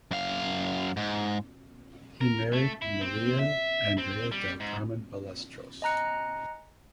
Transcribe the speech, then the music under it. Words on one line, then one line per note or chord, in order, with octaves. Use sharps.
He married Maria Andrea del Carmen Ballesteros.
F#2 F5
G#2
A#4
A3
E4
C4
E5
C4
G3
G#2
D#5 G#5 A#5 F#6 C#7